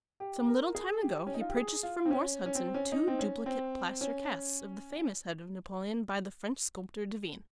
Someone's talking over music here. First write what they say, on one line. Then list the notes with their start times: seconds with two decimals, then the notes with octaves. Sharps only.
Some little time ago he purchased from Morse Hudson two duplicate plaster casts of the famous head of Napoleon by the French sculptor, Devine.
0.20 G4
0.48 A#4
0.75 G#4
1.03 G4
1.27 C#4
1.34 D#4
1.41 F4
1.49 G4
1.56 G#4
1.83 F4
2.05 C4
2.11 C#4
2.46 C#4
2.55 C4
2.74 C#4
2.92 D#4
3.08 C4
3.19 C#4
3.46 C4
4.01 C#4